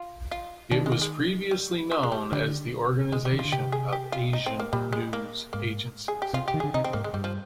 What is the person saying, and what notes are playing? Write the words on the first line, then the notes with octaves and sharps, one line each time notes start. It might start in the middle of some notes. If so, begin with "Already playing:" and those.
It was previously known as the Organisation of Asian News Agencies.
Already playing: F4
F4
D#3 D4
G#3
A#3
G#3
G3
F3
G#3
G3
D3 G3
D3 G#3
G3
D#3
F4
D3
C3 G4
G#4
G4
F4
D#4
C4
A#3
A#2 G3
G#3
A#3
G#2 A#3
G#4
G4
C3 F4
G4
D#3
D3 G#4
C3 D#4
C4
G#2 A#3
G#3
G2 G3
F3